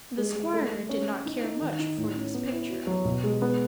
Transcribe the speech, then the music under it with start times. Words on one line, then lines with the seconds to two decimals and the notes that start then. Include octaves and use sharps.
The Squire did not care much for this picture.
0.18 G#3
0.35 G#3
0.54 A3
0.71 A3
0.89 C#4
1.08 C#4
1.26 D#4
1.43 D#4
1.61 D#3
1.79 D#4
1.98 A2
2.15 C#4
2.34 B3
2.52 E4
2.70 F#4
2.87 F#3
3.05 B2
3.24 G#3
3.42 B3